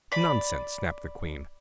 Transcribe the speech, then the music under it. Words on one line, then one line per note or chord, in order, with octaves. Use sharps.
'Nonsense!' snapped the queen.
D5 B5